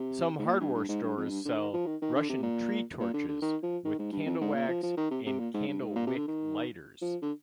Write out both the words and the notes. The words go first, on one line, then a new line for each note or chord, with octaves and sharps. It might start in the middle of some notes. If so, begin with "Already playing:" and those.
Some hardware stores sell "Russian tree torches" with candle wax and candle wick lighters.
Already playing: C3
G#2
A#2
G2
G2
G#2
G2
F2
G2
D3
D#3
F3
D#3
D#3
D3
C3
A#2
A#2
D3
D3
D#3
F3
D#3
G#2
G2
F2
G#2
A#2
F3
F3
D#3
C3
C3
A#2
G#2
G2
G#2
A#2
C3
D3
D#3
F3
D3